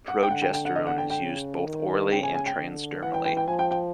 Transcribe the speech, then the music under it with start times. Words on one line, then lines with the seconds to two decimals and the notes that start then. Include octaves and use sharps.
Progesterone is used both orally and transdermally.
0.08 F#5
0.23 G5
0.31 D3 F#5
0.42 G5
0.53 G5
0.65 F#5
0.76 D#5
0.87 F#5
0.98 G5
1.10 G5
1.22 C#3
1.66 D#3
2.12 C#3 G5
2.23 G#5
2.35 G#5
2.46 G5
2.56 D3
3.03 E3 F#5
3.14 G5
3.25 G5
3.37 G5
3.48 F3 G#5
3.59 G5
3.71 G5